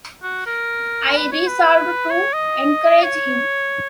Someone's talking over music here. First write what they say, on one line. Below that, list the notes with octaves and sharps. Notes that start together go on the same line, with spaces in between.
I resolved to encourage him.
F#4
A#4
B4
C#5
B4
C#5
D#5
C#5